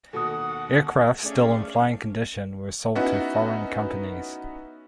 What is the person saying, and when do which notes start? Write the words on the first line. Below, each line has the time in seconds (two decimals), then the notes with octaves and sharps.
Aircraft still in flying condition were sold to foreign companies.
0.13 D#2 B2 A4 F#5 D#6
1.23 A3 C#4 G#4 D5 F5
2.95 B3 C#4 D#4 E4 F#4 F#5